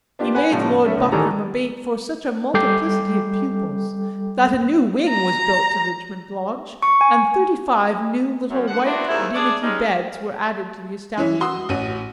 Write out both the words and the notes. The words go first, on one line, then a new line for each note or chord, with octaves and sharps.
He made Lord Buckram a bait for such a multiplicity of pupils, that a new wing was built to Richmond Lodge, and thirty-five new little white dimity beds were added to the establishment.
B3 D4 F4 G4
B4 F#5 G#5 B5
A2 C#3 F3 G3 D5
A3 C#4 E5
C#2 A2
D#3 E3 G3 A4 G#5 A#5
G3 A4 G5 D6 G6 C7
A#5
C#6
G#5
F#2
D3 F#5
B3 C4 D4 E4 F#4
D#2 G#2 E4
D4 G#4 C#5 D5
G3 G#3 C#4 D#4
E3 C#4 E4
F#4 C6 D#6 E6
A1 C#4 F#4 D#7